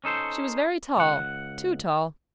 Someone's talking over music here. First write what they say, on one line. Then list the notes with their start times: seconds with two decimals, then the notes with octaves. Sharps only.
She was very tall--too tall.
0.04 C#4 D#4 A4 C5
0.97 C#2 F#5